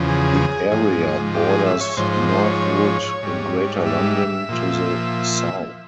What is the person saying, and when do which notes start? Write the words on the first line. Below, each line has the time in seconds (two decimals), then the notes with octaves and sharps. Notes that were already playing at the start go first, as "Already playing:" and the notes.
The area borders Northwood in Greater London to the south.
Already playing: E2 C#3 F3
0.08 G#4
0.72 G#2 F3
1.35 G4
1.49 G#4
1.66 E5
1.81 C#5
1.97 G#2 F3 C5
2.12 C5
2.29 C5
2.44 C#5
3.23 G#2 G3
3.86 E5
4.49 A#2 F3